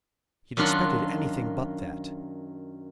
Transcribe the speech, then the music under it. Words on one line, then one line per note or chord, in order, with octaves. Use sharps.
He had expected anything but that.
F#2 D#3 D4 F4 F#5